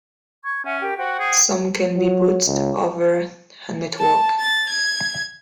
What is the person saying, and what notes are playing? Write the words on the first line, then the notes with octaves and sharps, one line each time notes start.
Some can be booted over a network.
C#6 G#6
C#4 E5 F#5 G#5
G4 A#4 G5
F#4 C5 F#5 G5
G#4
F#3
C#2
A5
A6
G#6